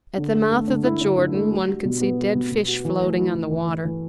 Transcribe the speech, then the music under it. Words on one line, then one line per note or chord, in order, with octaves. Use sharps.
At the mouth of the Jordan one can see dead fish floating on the water.
D3
A3
A3
D3
E4
D3
D3
A3
F#4
G3
B2
B3
F#4
B2
B2
F#4
E3
A3
E4
E3
E3
E3
E3